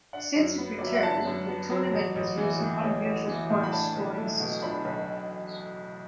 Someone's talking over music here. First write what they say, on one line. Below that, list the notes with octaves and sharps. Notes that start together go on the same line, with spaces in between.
Since its return, the tournament has used an unusual point scoring system.
D4 F#5
F#2
B3
F#3 D5
E5
F#5
D4 A5
F#2
B3
F#3
A1
A1
E3
A2
A1
A1
E3
A2
B5
D4 A5
B1
A3
B2
D4 B5
B1